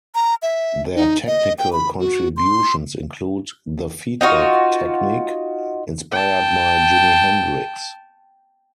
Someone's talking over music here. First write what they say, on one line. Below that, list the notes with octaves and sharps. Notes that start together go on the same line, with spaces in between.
Their technical contributions include the 'feedback' technique, inspired by Jimi Hendrix.
A#5
E5
D#4
D#5
G5
B5
F#4
C6
D#4 F4 F#4 F5
G5 A5